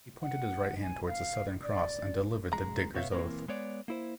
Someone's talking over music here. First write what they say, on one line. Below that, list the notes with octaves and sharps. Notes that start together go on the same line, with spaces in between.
He pointed his right hand towards the Southern Cross and delivered the diggers oath.
F#5
G#5
F5
D5
B1 F2 G#3 A#5
C#2 B2 B3 C#5 E5 F5
E3 G#3 A#3 C4 A#4
G#3 B3 C#5 D5
A#3 E4 C5